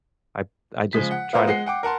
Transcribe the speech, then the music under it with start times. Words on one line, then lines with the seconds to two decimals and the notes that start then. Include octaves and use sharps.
I I just try to
0.93 C#3 F3 G#3 B6
1.11 F#5
1.33 B3 F4 A#4 C5 F#5
1.47 G#3 F#5 C7
1.66 F#5 G5 D6
1.83 A#4 F#5 A5 C6